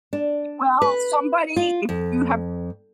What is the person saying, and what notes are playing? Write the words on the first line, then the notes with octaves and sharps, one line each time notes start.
Well, somebody if you have
D4
B4
F4
F2